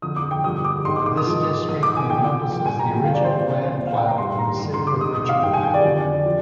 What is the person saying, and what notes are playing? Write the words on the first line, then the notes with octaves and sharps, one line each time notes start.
This district encompasses the original land plat of the city of Richmond.
F2 D3 F3 D#6
D6
G5
G2 D3 F3 D#6
D6
G#2 D#3 C6
D6
D6
D#6
G#2 F3
G#2 D#3 D#6
D6
G#5
A#2 F3 G5
G2 F3 G5
G#5
A#5
G2 D3 F3 G5
F5
D5
C5
A#2 F3 D5
D5
C5
A#2 F3 D5
F5
G5
A#5
G2 D#3 C6
A#5
G2 D3 F3 C6
C6
D6
G#2 D#3 D#6
D#6
F5
G2 D#3 G5
G#5
G5
D5
F2 D3 F3
F3